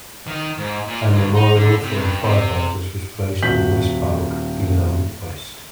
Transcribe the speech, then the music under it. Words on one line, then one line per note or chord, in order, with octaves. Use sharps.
A memorial for the firefighters was placed in West Park, Geelong West.
D#3
G#2
A#2
D2
D#4
D3
C3
G2
C3
D#1 F#4 G6 B6 F#7